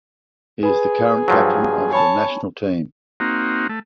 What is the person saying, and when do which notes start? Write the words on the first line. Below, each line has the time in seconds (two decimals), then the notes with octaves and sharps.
He is the current captain of the national team.
0.63 G#4 B4 B5
1.28 G2 F3 F#3
1.90 C#5 G#5 A5 B5
3.20 A#3 C4 D#4 F#4
3.69 A3